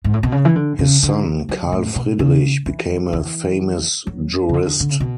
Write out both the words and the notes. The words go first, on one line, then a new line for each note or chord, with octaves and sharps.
His son, Karl Friedrich, became a famous jurist.
G#2
A2
B2
C#3
E3
D3
C#3
D3
F#3
B2
A2
B2
C#3
E3
E3
F#3
C#3
D3
D3
C#3
B2